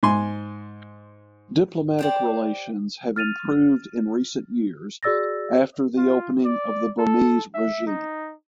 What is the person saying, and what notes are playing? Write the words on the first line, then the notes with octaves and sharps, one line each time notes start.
Diplomatic relations have improved in recent years after the opening of the Burmese regime.
G#2 G#5 C6
G4 C5 D5
F6 A6 D#7 F7
F#4 G#4 D5 E6 A6 A#6
F4
D5
A4
E5
D#4